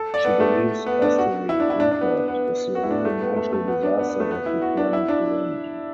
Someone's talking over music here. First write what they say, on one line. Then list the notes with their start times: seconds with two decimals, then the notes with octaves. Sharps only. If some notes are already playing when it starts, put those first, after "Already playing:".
She believes asteroid impact is the only natural disaster that we can prevent.
Already playing: A4
0.14 D5
0.25 B3
0.40 A3
0.86 B3
1.02 D4
1.18 F#4
1.49 E4
1.60 D4
1.70 E4
1.80 D4
1.91 D4
2.01 B3
2.28 B3
2.75 F#4
2.83 E4
2.91 D4
2.98 B3
3.05 A3
3.21 B3
3.36 A3
3.53 A3
3.68 B3
3.83 D4
3.99 B3
4.09 B3
4.20 A3
4.31 B3
4.46 E4
4.62 F#4
4.77 D4
4.93 E4
5.08 D4